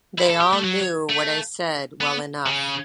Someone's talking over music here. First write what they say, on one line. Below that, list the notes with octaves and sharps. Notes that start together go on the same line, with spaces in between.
They all knew what I said well enough.
E4
A4
G4
A3
F#3
A3
B3
C#3